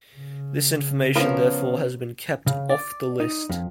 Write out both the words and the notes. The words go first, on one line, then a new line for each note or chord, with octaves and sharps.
This information therefore has been kept off the list.
C#3
F3 B3 C#4 A#4
C#3
D5
D#4
F2